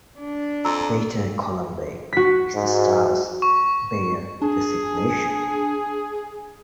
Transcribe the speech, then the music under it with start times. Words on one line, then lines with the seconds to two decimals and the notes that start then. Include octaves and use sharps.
"Beta Columbae" is the star's Bayer designation.
0.20 D4
0.65 F2 A#5 E6
2.13 F#4 B6
2.55 G#2
3.42 C#6
4.42 D4 G#4